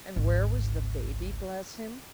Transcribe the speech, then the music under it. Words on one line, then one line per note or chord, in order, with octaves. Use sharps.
And where was the baby, bless him?
G#1 C#2